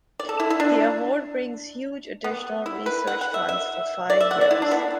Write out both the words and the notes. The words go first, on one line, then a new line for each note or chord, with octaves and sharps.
The award brings huge additional research funds for five years.
D5
A4
E4
E4
D4
B3
E4
B4
F#5
F#5
E5
E5
D5
E5
F#5
D5
E4
D4
B3